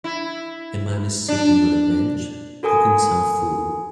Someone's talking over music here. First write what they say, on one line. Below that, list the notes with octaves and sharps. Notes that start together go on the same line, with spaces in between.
A man is sitting on a bench, cooking some food.
E4
D4
F#4 A4 A#4 G#5 D#6